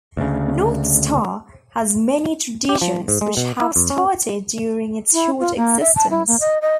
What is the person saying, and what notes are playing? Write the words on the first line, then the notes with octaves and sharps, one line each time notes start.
North Star has many traditions which have started during its short existence.
D2 C#3
G4
F3
G#2
G#3
B2
E4
F2
C#4
E4
F4
A#3
E5
A5
E4
A#3
D#5
D#5